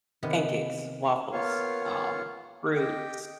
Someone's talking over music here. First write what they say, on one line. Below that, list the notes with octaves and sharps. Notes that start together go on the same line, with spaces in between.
Pancakes, waffles, um, fruits.
C3 D#3 B3 B4
A#3 B3 F4 C#5 F5
G4 D#5 G5